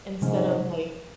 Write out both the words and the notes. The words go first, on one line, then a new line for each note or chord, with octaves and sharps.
Instead of like,
G#2 C3 F3 G#3 C#4